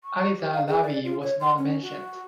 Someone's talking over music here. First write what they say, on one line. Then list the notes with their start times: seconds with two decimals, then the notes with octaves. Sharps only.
Aliza Lavie was not mentioned.
0.04 C#6
0.34 G4
0.53 F5
0.67 G#4
0.83 D5
1.04 F4
1.22 C#5
1.40 C6
1.58 C#4
1.82 F#4